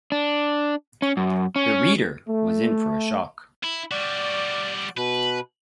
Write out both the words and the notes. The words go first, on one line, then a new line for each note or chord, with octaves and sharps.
The reader was in for a shock.
D4
C#4
F#2
C#4
A3
E4
G3 F#4 D5
B2 B4